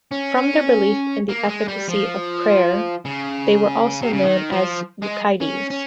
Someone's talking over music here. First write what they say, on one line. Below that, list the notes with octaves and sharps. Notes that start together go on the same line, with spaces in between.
From their belief in the efficacy of prayer, they were also known as Euchites.
C#4
A#3
G#3
G3
F3
C#3
C3
C#3
D#3
F3
G#3
C#4
C#4